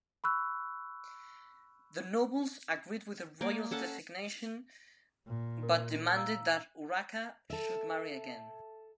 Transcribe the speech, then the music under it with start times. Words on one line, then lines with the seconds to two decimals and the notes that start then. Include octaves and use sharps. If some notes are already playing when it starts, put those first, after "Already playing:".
The nobles agreed with the royal designation but demanded that Urraca should marry again.
0.24 B5 C#6 E6 F#6
3.41 A#3 D5
3.71 C#4 A4 F#5 A5
5.27 A#2
5.63 A#4
6.16 F5 A#5 E6
7.50 A4 E5